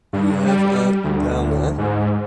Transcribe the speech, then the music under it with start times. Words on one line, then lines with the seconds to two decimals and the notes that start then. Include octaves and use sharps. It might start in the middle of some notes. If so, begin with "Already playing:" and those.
Do you have a Delna?
0.13 G2
0.46 G3
1.04 D2
1.78 G#2